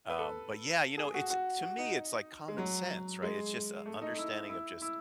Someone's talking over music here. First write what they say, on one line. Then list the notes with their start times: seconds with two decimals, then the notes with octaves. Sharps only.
uh, but yeah, you know? It's to me it's like common sense, right? It's just, uh, understanding of just
0.10 B4
0.19 A4
0.98 G#4
1.14 F#4
1.30 F#4
1.63 F#4
1.78 D#4
2.48 G#3
2.58 F#3
3.23 G#3
3.86 A3
4.02 D#4
4.18 E4
4.49 E4
4.82 E4